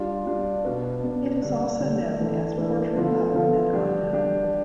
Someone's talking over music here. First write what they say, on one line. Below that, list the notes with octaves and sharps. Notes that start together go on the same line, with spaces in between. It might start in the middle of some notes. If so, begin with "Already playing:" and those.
It is also known as Portrait of an Unknown Woman.
Already playing: G3 D4 F4
G3 D4 F4
B2 B3 D4
B2 B3 D4
D3 G3 D4
D3 G3 D4
E3 A3 D4
E3 A3 D4
D3 F3 B3 F4 A4
D3 F3 B3 F4 A4
G3 D4 G4
G3 D4 G4